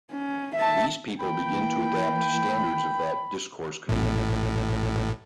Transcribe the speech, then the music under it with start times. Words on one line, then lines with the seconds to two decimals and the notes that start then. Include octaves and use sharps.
These people begin to adapt to standards of that discourse community.
0.11 C#4
0.56 E5 A5
1.19 E3 A#3 G5 B5
3.89 A1 A2